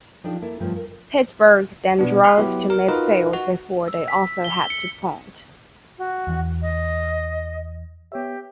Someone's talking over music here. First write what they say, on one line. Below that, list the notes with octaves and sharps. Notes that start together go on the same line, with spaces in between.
Pittsburgh then drove to midfield before they also had to punt.
F3 D4 D#4 G4 A4 D5
A#3 E4 A4
G2 C#3 F3 A3
A#4
B2 B3 D4
B5 C6 F6 F#6 C7
F#3 B3 E4 G4
A#4
D#4 F4 F#4 A#4 B4 D#5
F#4
E6
B6
G7
C#7
F#4
E2 E3
D#5
B3 G4 C#5 E5